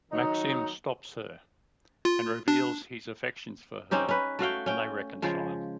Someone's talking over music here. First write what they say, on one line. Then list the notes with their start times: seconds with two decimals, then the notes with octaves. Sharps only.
Maxim stops her and reveals his affections for her and they reconcile.
0.11 D#3 F#3 D#4
2.05 F4
2.48 D4
3.91 C4 C#4 D#4 G4
4.09 C#4 B4
4.39 A3 F#4 F5 G5
4.66 C#4 G5
5.22 C#3 F3 G#3